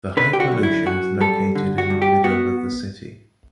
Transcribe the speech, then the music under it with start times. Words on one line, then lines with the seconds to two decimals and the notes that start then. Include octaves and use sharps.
The high pollution is located in the middle of the city.
0.17 D3 B4
0.33 G4
0.40 F#4
0.52 F#2
0.63 E4
0.86 F#2 F#4
1.21 G3 A4
1.55 D3
1.78 F#4
1.90 G2
2.02 G4
2.24 B3 F#4